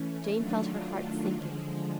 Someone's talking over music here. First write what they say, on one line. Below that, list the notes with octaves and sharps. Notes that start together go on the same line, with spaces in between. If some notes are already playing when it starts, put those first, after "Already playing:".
Jane felt her heart sinking.
Already playing: E3 A3 C#4
D#3 F#3 A3 D4 F4
D3 F3 G#3